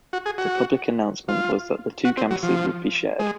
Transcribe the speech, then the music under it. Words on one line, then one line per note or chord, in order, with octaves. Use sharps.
The public announcement was that the two campuses would be shared.
F#4
G#4
F#4
F4
F#4
C4
F#3
F3
G#3